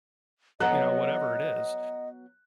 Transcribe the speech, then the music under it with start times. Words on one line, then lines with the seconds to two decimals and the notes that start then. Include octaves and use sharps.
you know, whatever it is.
0.60 F#3 B3 A4 D#5 F#5 A#5 F#6